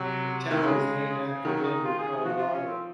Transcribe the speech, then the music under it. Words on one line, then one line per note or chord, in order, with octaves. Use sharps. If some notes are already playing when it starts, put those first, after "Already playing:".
The town was named after Denver, Colorado.
Already playing: C3 F#3
D#3
C#3 G#3
D#3 F#3
D#4
F4
G#4
G#4
F3 F#4
F4
C#4
C4